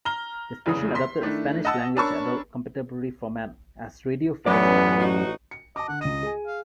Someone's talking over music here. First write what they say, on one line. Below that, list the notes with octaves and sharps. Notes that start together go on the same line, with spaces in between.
The station adopted a Spanish language adult contemporary format as "Radio Fiesta".
A#5 F6 G7
F1 E2 C#3 G#4 D#6
C6 B6
D#3 A3 D4 E4
D#5 F#5 A5 E6
C#4 D4 A#4 A5 B5 C#6
A1 F#2 B3 C#4 B4 D5
D#4 F#4
C#7
D#5 A5 D6
D3 F#5
C#2 D#5 D#7
G#4 G#5
F5